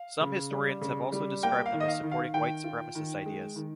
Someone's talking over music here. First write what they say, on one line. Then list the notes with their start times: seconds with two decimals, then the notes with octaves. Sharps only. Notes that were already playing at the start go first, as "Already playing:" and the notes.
Some historians have also described them as supporting white supremacist ideas.
Already playing: F5
0.21 C#3
0.51 G3
0.81 C#3
1.12 G3
1.43 A#3 G5
1.66 F5
1.73 D#3
1.80 D#5
1.88 F5
2.03 D#3
2.12 F5
2.34 D#3 G5
2.64 F4
2.95 D#3
3.26 G#3
3.56 D#3